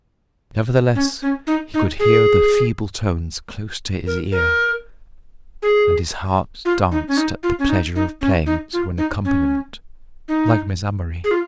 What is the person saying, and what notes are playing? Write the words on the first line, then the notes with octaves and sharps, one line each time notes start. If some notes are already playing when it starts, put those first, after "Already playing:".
Nevertheless he could hear the feeble tones close to his ear, and his heart danced at the pleasure of playing to an accompaniment, like Miss Amory.
C#4
C#4
D#4
D#4
G#4
A#4
A#4
G#4
F4
D#4
C#4
D#4
F4
C#4
D#4
D#4
C#4
D#4
F4
D#4
C#4
D#4
G#4
F4